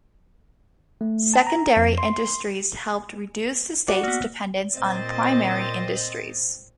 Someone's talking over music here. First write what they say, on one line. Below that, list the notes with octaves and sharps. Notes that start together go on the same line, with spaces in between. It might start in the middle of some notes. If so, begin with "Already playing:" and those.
Secondary industries helped reduce the state's dependence on primary industries.
A3
A5
A#5
F2
C6
F#4 D5
A#3 B3
A#2 C4 C5 D#5 A6